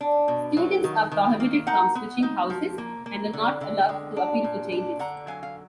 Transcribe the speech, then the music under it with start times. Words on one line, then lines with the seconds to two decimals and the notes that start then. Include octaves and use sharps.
Students are prohibited from switching houses, and are not allowed to appeal for changes.
0.01 D4
0.28 B2
0.57 F#3
0.84 D#3
1.12 D#3
1.40 A#3
1.67 D#4 F#5 A#5
1.95 B3
2.23 D#4
2.50 F3
2.78 A#3
3.06 A#3
3.33 D3
3.61 D3
3.89 G#3
4.16 D4
4.44 A#2
4.72 D4
4.99 D3 F#5 A#5
5.27 F#3 F5 G#5
5.43 F5